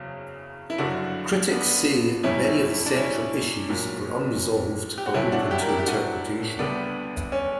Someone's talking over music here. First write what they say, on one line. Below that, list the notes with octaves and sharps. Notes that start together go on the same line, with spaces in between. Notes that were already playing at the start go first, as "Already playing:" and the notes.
Critics say many of the central issues are unresolved or open to interpretation.
Already playing: F#1 E2 C#3 F#3
E4
G1 F#2 D3 F#3 D4 F#4
B3 D4
E2 B2 G3 C#4 E4
D4
C#4 E4
B1 A#2 F#3
G4
F#4
D2 D3 G3 C#4 E4
D4 F#4
E4 G4
A#4
E4 G4
G4
D4 F#4
D2 D3 G3 B3 D4
C#4